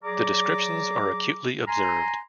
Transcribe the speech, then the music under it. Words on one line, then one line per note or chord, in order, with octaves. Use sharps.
The descriptions are acutely observed.
F#3 G#4 D5 A#5 D6
G#5 A#5 C6